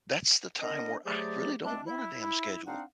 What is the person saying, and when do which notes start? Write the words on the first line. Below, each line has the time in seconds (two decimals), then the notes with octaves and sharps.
that's the time where I really don't want a damn schedule.
0.61 B3 D4 A#4 D#5
1.05 F#3 A3 G4 G#4 C5 D5
1.64 G#3 A3 C4 D4
1.87 E4
2.66 C4 D4 D#4 F5 F#5